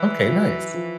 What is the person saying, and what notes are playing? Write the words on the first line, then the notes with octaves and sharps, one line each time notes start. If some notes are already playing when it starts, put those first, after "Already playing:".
Okay. Nice.
Already playing: E3
F3
F#3
F3